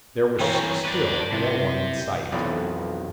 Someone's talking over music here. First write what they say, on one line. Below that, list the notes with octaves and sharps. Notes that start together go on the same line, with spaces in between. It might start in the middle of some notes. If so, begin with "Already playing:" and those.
There was still no one in sight.
E3 C4 A#4 C#5 G5
B4 D5
A5 D7
C3 E4
B1 F2 D#3 E3 B3 D5